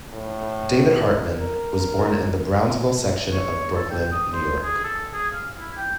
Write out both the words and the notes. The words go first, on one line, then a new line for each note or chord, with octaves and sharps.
David Hartman was born in the Brownsville section of Brooklyn, New York.
A2
A#4
C#5
A4
G5
D#6
C5
G#4
A4
G#4
F5
E4
G5